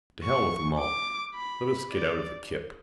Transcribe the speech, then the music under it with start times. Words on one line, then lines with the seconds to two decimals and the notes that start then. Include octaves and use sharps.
To hell with them all. Let us get out of the kip.
0.24 C#6
0.79 D6
1.35 B5
1.91 D5